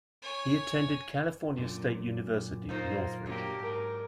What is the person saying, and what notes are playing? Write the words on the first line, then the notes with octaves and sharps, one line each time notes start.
He attended California State University, Northridge.
C#5 G#5
F#2 A#2 D3
A#3 D#4 F4 C5
F#3 A#3 D4 G4
G#2 A#4